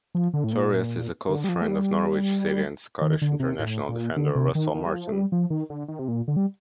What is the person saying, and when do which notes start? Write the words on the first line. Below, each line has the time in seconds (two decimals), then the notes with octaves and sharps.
Torres is a close friend of Norwich City and Scottish International defender Russell Martin.
0.15 F3
0.34 D3
0.44 A2
0.53 A#2
1.29 D3
1.44 G3
1.49 F3
1.61 A3
1.68 G3
3.01 D#3
3.22 D3
3.40 C3
3.59 A2
3.89 A#2
4.16 D3
4.35 C3
4.55 D#3
4.75 D#3
4.85 G3
4.94 F3
5.08 A3
5.12 G3
5.32 F3
5.50 D#3
5.70 D3
5.88 D#3
5.99 C3
6.08 A#2
6.28 D3
6.36 G3